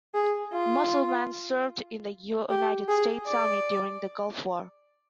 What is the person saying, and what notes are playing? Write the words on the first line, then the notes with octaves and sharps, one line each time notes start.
Musselman served in the United States Army during the Gulf War.
G#4
F4
G4
G#4
D5